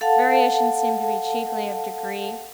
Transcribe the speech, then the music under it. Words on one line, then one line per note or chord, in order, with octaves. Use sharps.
Its variations seem to be chiefly of degree.
A4 F5 F#5 A5